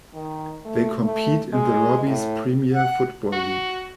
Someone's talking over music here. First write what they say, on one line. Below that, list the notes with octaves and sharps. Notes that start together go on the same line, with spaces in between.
They compete in the Robbie's Premier Football League.
D#3
A3
A3
G#3
A2
F#5
F#4